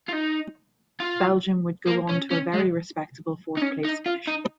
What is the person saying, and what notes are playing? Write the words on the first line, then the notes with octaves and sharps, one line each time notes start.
Belgium would go on to a very respectable fourth-place finish.
F4
D#4
F4
A#3
C#4
C#4
G#3
D#4
C#4
D#4
F4
D#4